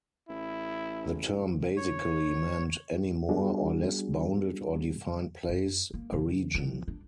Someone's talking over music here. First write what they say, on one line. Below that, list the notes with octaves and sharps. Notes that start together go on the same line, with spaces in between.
The term basically meant "any more or less bounded or defined place, a region".
A1 E4
C#5
G3 B3 D4 F#4 G#4
F#2
A#3
C#3
F3
D4